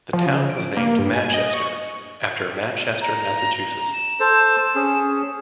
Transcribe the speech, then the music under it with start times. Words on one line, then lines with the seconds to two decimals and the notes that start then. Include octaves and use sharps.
The town was named Manchester after Manchester, Massachusetts.
0.13 F3
0.26 C#3
0.50 D7
0.77 A#3
0.99 G2
1.13 G#5
1.34 D#5
1.54 C#6
3.02 A#5
3.93 E7
4.20 A4 C5
4.76 C#4 G#4